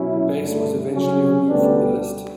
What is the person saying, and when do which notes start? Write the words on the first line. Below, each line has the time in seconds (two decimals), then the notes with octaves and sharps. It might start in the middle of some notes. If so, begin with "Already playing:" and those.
The base was eventually removed from the list.
Already playing: B2 F#3 C#4 E4
0.40 G2 D3 A3
0.93 C#3 F#3 C#4
1.48 D2 D3 G3 B3 D4